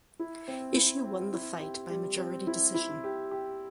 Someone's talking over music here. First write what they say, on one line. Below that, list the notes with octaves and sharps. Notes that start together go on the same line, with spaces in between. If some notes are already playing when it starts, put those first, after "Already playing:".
Ishii won the fight by majority decision.
E4
C4
E4
C4
E4
G4
G3
C4
E4
E4
G4
G4